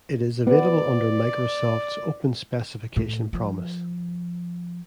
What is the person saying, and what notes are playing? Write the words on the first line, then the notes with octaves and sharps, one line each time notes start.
It is available under Microsoft's Open Specification Promise.
B3 D5
A2
F3